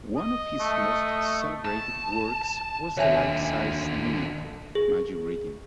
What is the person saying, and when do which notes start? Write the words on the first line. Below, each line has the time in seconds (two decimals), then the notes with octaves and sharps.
One of his most celebrated works was the life-size nude, "Maggie Reading".
0.18 D#5
0.60 A3
1.65 A5
2.97 D#2 D3 C#5 E5 G#5
4.75 G#4